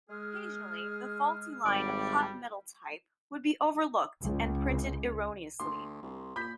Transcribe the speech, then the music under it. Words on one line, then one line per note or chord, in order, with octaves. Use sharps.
Occasionally the faulty line of hot-metal type would be overlooked and printed erroneously.
G#3 G#4 F6
G#1 G3 D5
C#2
D2 C6
C2
A#2 B5 G6 B6